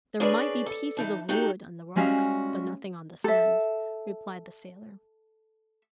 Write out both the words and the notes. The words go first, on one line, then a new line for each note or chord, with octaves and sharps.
"There might be pieces of wood on the rocks, but nothing on the sands," replied the sailor.
D4 G#4 A#4 B4 C#5 D5
A4
E3 D#4 A5
D#4 F#4 G4 A4 A#4
G3 G#3 C#4 F#4 E5 F5
A4 E5